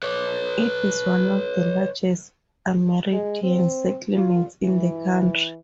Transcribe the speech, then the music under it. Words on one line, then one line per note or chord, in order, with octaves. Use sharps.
It is one of the largest Amerindian settlements in the country.
B4 C#5
G#3
C4
F4
E3